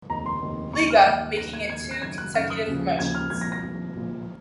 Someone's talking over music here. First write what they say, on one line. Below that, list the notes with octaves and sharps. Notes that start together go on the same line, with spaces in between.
Liga, making it two consecutive promotions.
F1 D#2 D#3 A#5
C6
F1 D#2 D#3
D#2 D#3 C#6
F6
F#6
D#2 D#3
D#2 D#3 A#6
G#6
D#2 D#3 G#6
F#6
F#1 F#2 D#3 G#6
F#6
F#1 F#2 D#3 F6
D#6
D#2 C#3 F3
D#2 C#3 F3 G#6
F6
C2 A#2 F3 G#6
A#6
A#6
C2 A#2 F3
A#1 A#2 F3